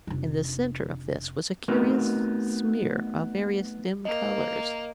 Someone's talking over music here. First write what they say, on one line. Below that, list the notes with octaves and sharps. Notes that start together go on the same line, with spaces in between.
In the center of this was a curious smear of various dim colors.
F1 D4
A3 B3 C4 D#4 F#4 A#4
A#3 D#5